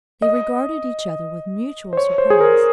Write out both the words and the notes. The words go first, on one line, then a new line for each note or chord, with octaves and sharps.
They regarded each other with mutual surprise.
D#5
C5
C#5
C5
G#4
A#4